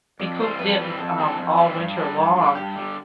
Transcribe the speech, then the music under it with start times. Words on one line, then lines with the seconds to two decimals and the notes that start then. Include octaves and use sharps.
be cooped in, um, all winter long
0.20 F2 D5
0.39 E3 G3 C4 C5
0.59 F2 B4
0.79 E3 G3 C4
0.98 F2 A4
1.18 E3 G3 C4
1.38 F2
1.57 E3 G3 C4
1.78 G2
1.96 D3 G3
2.16 G2
2.36 D3 G3
2.55 G2 G4
2.76 D3 G3